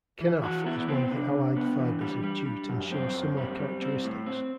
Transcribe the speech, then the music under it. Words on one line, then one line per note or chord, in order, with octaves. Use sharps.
Kenaf is one of the allied fibres of jute and shows similar characteristics.
E3
E3 F#4
B3 E4
B3 C4
C3 D4
C3
B3
E3
G3
G3
G3
F#2
F#2 C4
F#2
G3
G3
C4
A2
C4